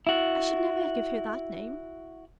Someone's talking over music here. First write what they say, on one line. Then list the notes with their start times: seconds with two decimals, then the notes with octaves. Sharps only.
I should never give her that name.
0.07 E4 F#4